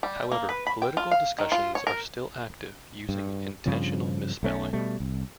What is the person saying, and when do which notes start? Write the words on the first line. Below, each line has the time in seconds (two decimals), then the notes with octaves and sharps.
However, political discussions are still active using intentional misspelling.
0.03 G3
0.32 A#3
0.49 B4
0.67 B5
0.82 G5
0.97 F4
1.11 F5
1.38 D#3
1.52 F4
1.75 C#5
1.87 A#4
3.09 G2
3.66 G2 C#3 F3 C4
4.43 B1 A3 C#4
4.73 B2 G3 A3
5.00 C2